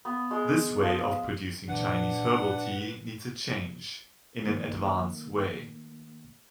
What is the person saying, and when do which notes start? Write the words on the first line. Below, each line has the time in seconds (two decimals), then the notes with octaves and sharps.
This way of producing Chinese herbal tea needs a change, in an advance way.
0.05 B3
0.31 G#3
0.82 F3
1.69 A#2 E3 F#3 D4 B4 F#5
4.45 D#3 A3 A#3